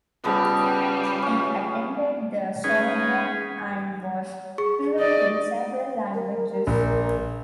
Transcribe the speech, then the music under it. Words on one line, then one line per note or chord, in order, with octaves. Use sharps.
He attended the Sorbonne and was fluent in several languages.
C#3 F3 G3 B3
C#4 F5
G#3 C#4 D#4 G#4 B4
G#4 C#6
D5 D#5
A#4
A#1